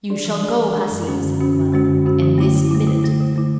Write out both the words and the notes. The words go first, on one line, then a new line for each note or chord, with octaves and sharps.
"You shall go, hussey," said the mother, "and this minute."
G#3 D4 G#4 D5
E3
G#3 D4 G#4 D5
E3
G#3 D4 G#4 D5
F#2
D3 G#3 C#4 F#4
F#2
D3 G#3 C#4 F#4
F#2
D3 G#3 C#4 F#4
F#2
D3 G#3 C#4 F#4
D3
A3 E4
D3
A3 E4
D3
A3 E4
D3
A3 E4